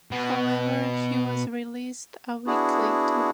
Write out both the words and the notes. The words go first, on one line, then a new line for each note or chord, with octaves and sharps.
However, he was released a week later.
B2 B3
B3 D4 E4 F#4 G#4